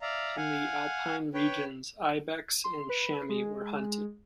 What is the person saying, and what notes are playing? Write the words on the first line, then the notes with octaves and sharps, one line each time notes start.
In the alpine regions ibex and chamois were hunted.
D5 E5 F5 A#5
F5 F#5 G#5
B4 C#5 G5
C6
B4
G#3